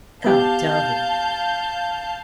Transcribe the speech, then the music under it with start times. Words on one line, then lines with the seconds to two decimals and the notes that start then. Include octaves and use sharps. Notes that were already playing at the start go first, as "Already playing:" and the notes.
Come, tell him.
0.24 B3 G4 F5 A5 G6